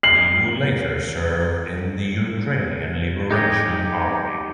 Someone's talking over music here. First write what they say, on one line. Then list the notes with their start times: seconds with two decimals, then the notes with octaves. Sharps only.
He would later serve in the Ukrainian Liberation Army.
0.03 C7 F#7
3.31 D#4 G4 G#4 D#5